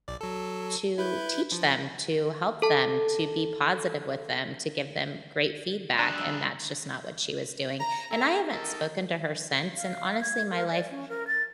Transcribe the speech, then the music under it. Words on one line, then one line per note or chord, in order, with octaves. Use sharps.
to teach them, to help them, to be positive with them, to give them great feedback, and that's just not what she was doing. And I haven't spoken to her since, and, honestly, my life
B1 D5
F#3 A4
E4 B4 G6
F3
A4 A5
G3 D4 G#4 A#5 E6 F#6
A#5
A4 E5 G#5 A#5
D#3 D#4 G4 A4 A#4 D#5
F5
G#6
A#4
D5
C#4
A#4
A6